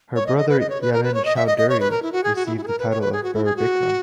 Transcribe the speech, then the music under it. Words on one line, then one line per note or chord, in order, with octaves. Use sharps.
Her brother Yamin Chowdhury received the title of Bir Bikram.
C#5
D#5
D#5
B4
D#5
C#5
B4
A#4
B4
C#5
D#5
E5
D#5
D#5
C#5
B4
A#4
E4
F#4
G#4
F#4
E4
E4
G#4
A#4
B4
C#5
B4
G#4
F#4
E4
G#4
F#4